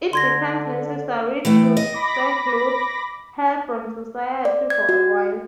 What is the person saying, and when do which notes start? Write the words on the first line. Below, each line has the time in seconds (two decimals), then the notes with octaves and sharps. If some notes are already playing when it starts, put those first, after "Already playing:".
It becomes necessary to seclude her from society for a while.
0.13 D3 C6 G#6 A#6
1.45 E3 A3 G5
1.77 D#5
1.93 B5 D6 A#6
4.45 D5
4.70 G#6
4.89 F#4